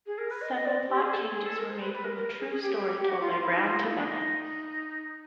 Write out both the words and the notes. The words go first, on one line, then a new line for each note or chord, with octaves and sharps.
Several plot changes were made from the true story told by Browne to Bennett.
G#4
A#4
B4
D#5
D#5
D5
G4
G#4
A4
G#4
G#4
A4
A#4
C5
B4
B4
A#4
A#4
G#4
G#4
G4
G4
G4
F#4
F4
F4
E4
D#4
F4
E4
D#4
D4
D#4